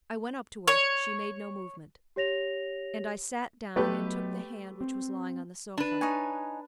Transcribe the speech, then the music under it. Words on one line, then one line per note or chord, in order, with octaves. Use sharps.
I went up to her; she made no movement, and I sat down and took the hand which was lying on the sofa.
C#5
G4 C#5 A#6 F7
F#3 A3 B3 G4 B4
C4
D4 B4
D#4 C#5 G#5